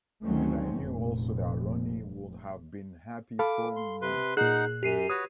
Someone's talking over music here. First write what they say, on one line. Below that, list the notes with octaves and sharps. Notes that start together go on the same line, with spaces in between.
And I knew also that Ronnie would have been happy for me.
D2 D#3 F#3 A3 C4 C#4
F1 A#1
A4 F5 B5 D6
C6
C3 B4 C6
A#2 D#4 G#4 F#5 F#6
F#2 G4 C7 D#7
F#4 B4 C#5 D#6